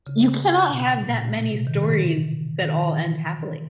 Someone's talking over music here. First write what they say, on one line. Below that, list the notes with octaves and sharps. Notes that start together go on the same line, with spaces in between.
you cannot have that many stories that all end happily.
C#3
B2
A#2
B2
C3
D#3
D#3
E3
D#3
E3